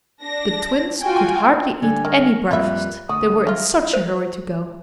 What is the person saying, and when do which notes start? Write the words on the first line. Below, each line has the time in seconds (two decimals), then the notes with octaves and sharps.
The Twins could hardly eat any breakfast, they were in such a hurry to go.
0.22 D4 A#6
1.02 F4 F#4 G5 G#5
1.82 D3 G3 G#5
2.05 D#3 A#4
2.51 F2 G3 A#3 F4 B4 E5
3.09 D2 F#4 D#6
3.47 A3 F4 A#4
3.93 C5